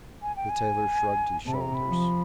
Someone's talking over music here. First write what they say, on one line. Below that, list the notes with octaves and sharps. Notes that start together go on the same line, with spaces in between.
The tailor shrugged his shoulders.
G#5
G5
G#5
C3 A5
B5
A#5
B5
F3